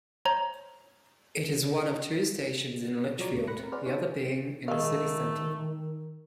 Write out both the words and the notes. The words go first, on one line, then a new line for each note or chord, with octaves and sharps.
It is one of two stations in Lichfield, the other being in the city-centre.
C5 C#5 A#5
F3 F#3 F#4 C#5 D5 A#5
D#2 A2 C#3 G#3 A3
B5 F#6 A#6 C#7
C4 A#4
G#4 B4 C5 D5 F#5 F6
C#4 D#4 G#4 C5 C#5
D#3 G#3 A3 A#4 F5